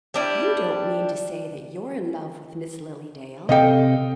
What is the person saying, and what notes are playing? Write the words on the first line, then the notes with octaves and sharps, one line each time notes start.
"You don't mean to say that you're in love with Miss Lily Dale?"
G3 D4 E4
C3 C4 A4 D#5 F5 G5